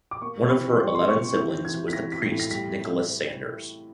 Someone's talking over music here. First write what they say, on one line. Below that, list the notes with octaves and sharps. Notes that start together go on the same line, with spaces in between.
One of her eleven siblings was the priest Nicholas Sanders.
D6
A#3 C#6
C3
B5
E3
G3 C6
C#6
C6
A#3
C#6
C3
E3 G6
E3
G#6
E3
B6
E3 A#6
E3 B6
C7
A2
A#6
G3 B6